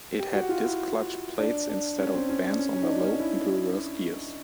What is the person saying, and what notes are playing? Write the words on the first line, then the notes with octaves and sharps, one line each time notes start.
It had disc clutch plates instead of bands on the low and reverse gears.
G4
F#4
F4
E4
D4
D4
C#4
C4
C#4
D4
C#4
C#4
D#4
D4
C#4
E4